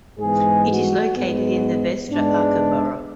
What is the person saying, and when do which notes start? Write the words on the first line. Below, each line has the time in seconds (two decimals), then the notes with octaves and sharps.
It is located in the Vestre Aker borough.
0.19 G#2 E3 G#3 B3 G#4
0.68 F#4
1.15 G#2 G#3 B3
2.10 G#2 G#3 B3 D4